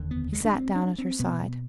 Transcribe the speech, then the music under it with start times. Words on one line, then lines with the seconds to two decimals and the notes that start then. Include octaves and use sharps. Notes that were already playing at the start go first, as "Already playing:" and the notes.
He sat down at her side.
Already playing: F1 D#2 D3
0.11 B3
0.33 G#3
0.45 D4
0.54 C4
0.76 D4
0.98 C4
1.19 B2 B3